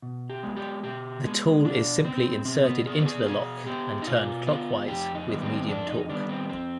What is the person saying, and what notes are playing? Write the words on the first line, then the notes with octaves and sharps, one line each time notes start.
The tool is simply inserted into the lock and turned clockwise with medium torque.
B2
G4
G#3 B3
G4
B2 G4
G#3 B3 G#4
B2 D4
B3 C4
B2 C4
B3
B3 G#4
B4
G#4
B2 G#4
B3 G4
D#4
B2 F4
B3 F4
F2 G4
D#4
D#3 G3 B3
C4
F2 D4
D#4
D#3 G3 B3 D4
C4
F2 C4